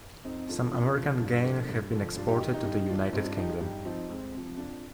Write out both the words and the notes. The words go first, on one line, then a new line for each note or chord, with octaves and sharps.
Some American Game have been exported to the United Kingdom.
F2 C4 D#4
D3 F3 D4 F4
F2 D4 F4
D3 F3 D4 F4
G2 D4 F4
D3 F3
G2
D3 F3
G2 D4 F4
D#4 G4
D#3 D#4 G4
D#4 G4
G2 D#4 G4
D#3 D4 F4
G2 C4 D#4
D4 F4
F3 D#4 G4
F4 G#4
G2 D#4 G4
F3 C4 D#4
F2 G#3 C4
C3 F3
F2 D4 F4